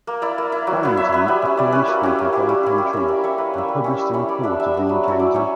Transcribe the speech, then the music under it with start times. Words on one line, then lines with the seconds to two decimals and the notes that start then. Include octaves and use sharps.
Barrington met the Cornish speaker Dolly Pentreath and published a report of the encounter.
0.07 A#3
0.22 E4 D5
0.38 A#3
0.52 E4
0.67 F#3
0.83 B3 E4
0.97 F#3 E5
1.13 B3 E4
1.28 G3
1.42 C#4 E4
1.57 G3 D5
1.72 C#4 E4 B4
1.88 A#3 F#4
2.03 C#4 E4 G4
2.18 A#3 F#4
2.33 C#4 E4 G4
2.49 G3
2.63 C#4 E4
2.78 G3 G4
2.93 C#4 E4 A#4
3.08 A#3 D5
3.24 C#4 E4 C#5
3.38 A#3 B4
3.54 C#4 E4
3.68 G3
3.84 C#4 E4
3.98 G3
4.13 C#4 E4 C#5
4.28 G3 D5
4.43 B3 D4 E5
4.60 G3 E5
4.74 B3 D4
4.89 F#3
5.04 C#4 E4
5.19 F#3 D5
5.34 C#4 E4 C#5